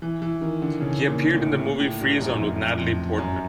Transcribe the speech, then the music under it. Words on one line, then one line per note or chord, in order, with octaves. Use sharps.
He appeared in the movie "Free Zone" with Natalie Portman.
E3
E3
D#3
D3
C#3
A#2
A2
A#2
A2
G2
F#2
F2
F2
F#2